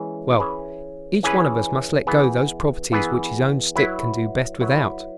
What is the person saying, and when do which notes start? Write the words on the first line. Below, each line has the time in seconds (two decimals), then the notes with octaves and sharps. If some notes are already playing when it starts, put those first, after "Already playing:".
Well, each one of us must let go those properties which his own stick can do best without.
Already playing: E3 G#3 C#4
0.38 E3 C#4 G#4 B4
1.23 E3 C#4 G#4 B4
2.07 E3 B3 G#4 B4
2.92 E3 B3 G#4 B4
3.76 F#3 E4 B4
4.60 F#3 E4 B4